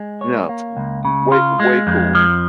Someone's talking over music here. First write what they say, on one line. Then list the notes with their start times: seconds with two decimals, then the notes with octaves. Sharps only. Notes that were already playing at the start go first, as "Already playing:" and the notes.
Yeah, it's w w way way cool.
Already playing: G#3
0.21 C#5
0.49 A#3
0.77 C#2
1.05 C#3
1.32 F4
1.60 G#3
1.87 F2
2.15 F3